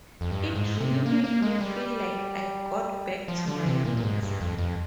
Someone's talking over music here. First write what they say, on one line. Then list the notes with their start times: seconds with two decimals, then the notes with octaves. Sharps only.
It really made me feel like I got back to my roots.
0.21 F2
0.31 G2
0.55 G#2
0.80 C3
1.06 A#3
1.24 A#3
1.42 G#3
1.61 G3
3.28 F3
3.48 D3
3.66 C3
3.85 A#2
3.97 A#2
4.03 G#2
4.22 G2
4.41 F2
4.59 F2